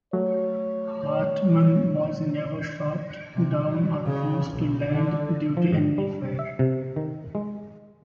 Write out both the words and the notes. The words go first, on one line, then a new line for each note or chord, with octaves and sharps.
Hartmann was never shot down or forced to land due to enemy fire.
F#3 A3 C#5
C3
F#3
C#3
B1
D3
F3
G#2
G3
E5
C3
D#3
G#3